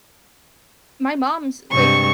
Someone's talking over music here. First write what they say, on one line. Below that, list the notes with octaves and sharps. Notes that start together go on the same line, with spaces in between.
my mom's, like,
G2 C3 G#3 C#6